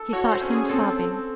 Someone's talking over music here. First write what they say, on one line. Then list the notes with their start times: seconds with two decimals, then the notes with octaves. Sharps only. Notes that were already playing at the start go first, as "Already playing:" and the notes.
She thought him sobbing.
Already playing: A4
0.13 F#4 C#5
0.31 C5
0.41 C#4
0.50 G#4
0.69 C4 A4